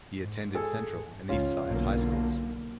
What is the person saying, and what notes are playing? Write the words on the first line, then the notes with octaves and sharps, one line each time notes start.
He attended Central and East Side high schools.
G#2
G#4 A4 G#5
C#2 C#4 F4
B1 D3 A#3